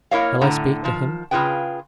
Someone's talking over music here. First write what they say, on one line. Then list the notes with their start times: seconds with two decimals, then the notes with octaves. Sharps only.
Shall I speak to him?
0.11 A#3 E4 A#4 C#5 D#5 F5
0.41 A2 D3 F#5 A#5
0.84 D#3 F3
1.31 C#3 G3 F4 G#4 B4 G5